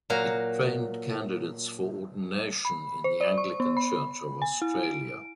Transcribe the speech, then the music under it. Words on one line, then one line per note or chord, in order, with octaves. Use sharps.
It trained candidates for ordination in the Anglican Church of Australia.
A#2 F#3 F#4 F5 A#5
B5
C5
D5
C#6
B3
B5
G#5
E4
D7